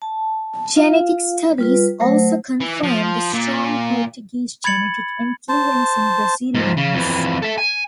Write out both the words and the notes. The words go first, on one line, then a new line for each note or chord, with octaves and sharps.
Genetic studies also confirm the strong Portuguese genetic influence in Brazilians.
A5
F4 F5
G3 F4 B4
F#3 A3 C5
E3
F3
A#2
B5 G#6 A6 C#7 F#7
C5 A5
G#2 F3
C#3
F2 E3
A4 E5
G#5